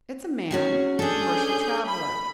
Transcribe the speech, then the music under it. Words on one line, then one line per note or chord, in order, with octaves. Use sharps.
It's a man--a commercial traveler.
C#4 F#4 G#4
C#4 D4 G#4 A4 G6
B5